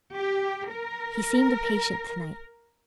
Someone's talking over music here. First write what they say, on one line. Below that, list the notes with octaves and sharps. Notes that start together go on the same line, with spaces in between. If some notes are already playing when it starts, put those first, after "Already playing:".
He seemed impatient to-night.
G4
A#4